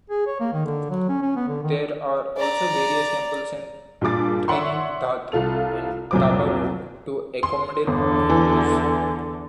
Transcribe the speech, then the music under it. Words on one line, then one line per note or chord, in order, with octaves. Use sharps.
There are also various temples in Trinidad and Tobago to accommodate Hindus.
G#4
C#5
A#3
D#3
D3
F#3
C#4
C#4
B3
D3
D#3
D5 A#5
G2 A#2 G#4 D6 A6
C#5 D5 E5 F#5 C6 C#6
C2 F4 A4 F7
C2 F2 A#2 F#3 C5 D6
C6
G1 E2 D3
E3